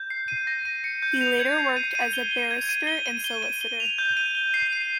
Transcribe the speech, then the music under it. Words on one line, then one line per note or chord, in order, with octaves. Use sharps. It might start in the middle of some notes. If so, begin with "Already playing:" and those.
He later worked as a barrister and solicitor.
Already playing: G6
C7
D#7
A#6
D#7
C#7
G6
F7
G#6
C7
D#7
D#7
G7
G7
G#6
D#7
G7
D#7
G7
D#7
G7
F7
G6
D#7
G7
C7
D#7